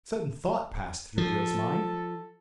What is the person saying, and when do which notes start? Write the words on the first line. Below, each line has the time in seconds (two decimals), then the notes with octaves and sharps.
A sudden thought passed through Joe's mind.
1.18 F3 A4